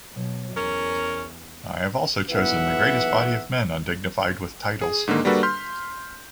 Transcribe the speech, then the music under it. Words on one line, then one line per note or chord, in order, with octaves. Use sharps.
I have also chosen the greatest body of men undignified with titles.
B2 F#3
E2 C#4 A#4
B1 E2 E3 B4 E5 F#5
G#4
G#2 D3 D#3 A#3
G3 A#3 D4 F#4 A4 B4
C6 F6 G6 B6